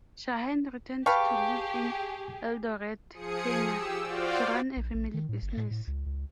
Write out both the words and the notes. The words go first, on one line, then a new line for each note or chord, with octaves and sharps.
Shaheen returned to live in Eldoret, Kenya to run a family business.
G4 G#4 B4 F5 G5 A5 C#6
F3 G#4 D#6 C#7
G4 E6
F4 F#4 C5 D5 F5 G5
A#1
A#1
D#3
A2
G1
A2
A2
C#2
C#2